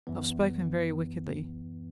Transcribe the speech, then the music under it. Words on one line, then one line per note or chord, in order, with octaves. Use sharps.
I've spoken very wickedly.
F#2 E3 B3